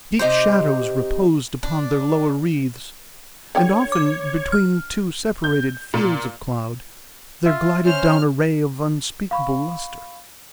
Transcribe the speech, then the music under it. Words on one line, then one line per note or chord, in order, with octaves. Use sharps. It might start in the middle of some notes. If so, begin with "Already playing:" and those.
Deep shadows reposed upon their lower wreaths; and often, between two separated fields of cloud, there glided down a ray of unspeakable lustre.
C3 D#4 G4 C5
D4
D3 G4 C#5 G5
D6
F6
G6
A#2
F4 E5
C#4 C5 F6
F5 B5 C#6